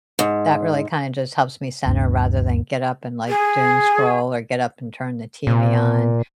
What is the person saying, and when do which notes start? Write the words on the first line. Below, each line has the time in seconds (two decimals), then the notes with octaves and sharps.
that really kinda just helps me center rather than get up and, like, doom scroll or get up and turn the TV on,
0.19 G#2
1.85 G1 D2 G2 D4
3.28 G#4
5.47 A#2